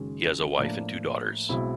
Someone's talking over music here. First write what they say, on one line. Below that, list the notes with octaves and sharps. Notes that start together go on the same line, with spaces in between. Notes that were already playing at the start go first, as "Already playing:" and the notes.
He has a wife and two daughters.
Already playing: F#1 F#2 D#3 G#3 C#4
A2 F3 A#3 D4
B1 B2 G#3 C4 E4